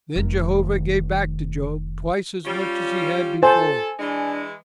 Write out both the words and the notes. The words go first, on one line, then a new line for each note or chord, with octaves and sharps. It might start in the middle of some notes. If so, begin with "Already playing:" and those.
Then Jehovah gave back to Job, twice as much as he had before.
F1 D#3
G3 C#4 F4
A4 C5 G#5
E3 G#3 D4